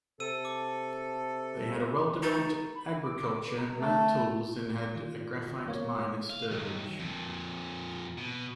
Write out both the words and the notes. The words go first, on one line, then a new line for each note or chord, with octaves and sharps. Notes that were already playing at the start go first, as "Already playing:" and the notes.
They had a well-developed agriculture, made tools, and had a graphite mine at Sturbridge.
C3 A4 E6 D#7
D6
E3 D#4 A#5 C#6 A6
B5
D6
A#5
A3 A5
D#3 F4 D5
A#3 A#4 C#5
F5
D#3 F#3
F2 A#2
B2